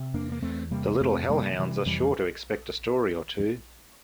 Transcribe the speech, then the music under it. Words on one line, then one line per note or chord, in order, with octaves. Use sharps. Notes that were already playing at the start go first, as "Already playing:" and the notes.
The little hell hounds are sure to expect a story or two.
Already playing: C3
E2 A#3 D4
A#3
E2 A3 C4
C3 G3 A#3
A#3
F2 A3 C4
C3 G3 A#3
F3
C3 E3 G3
F2 E3 G3